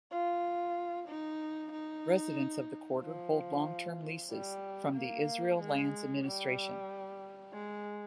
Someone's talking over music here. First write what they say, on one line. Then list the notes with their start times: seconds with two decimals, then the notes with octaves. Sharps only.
Residents of the quarter hold long-term leases from the Israel Lands Administration.
0.11 F4
1.09 D#4
1.72 D#4
3.01 F3
4.31 G3
4.96 A#3
5.60 G#3
6.25 G3
7.53 G#3